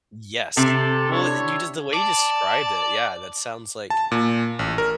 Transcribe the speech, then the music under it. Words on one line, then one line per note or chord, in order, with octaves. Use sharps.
Yes. Well, it you j the way you described it, yeah, that sounds like
C3 A4
D4 E4 C#5
D5 A5
A5
A#2
A1
A#4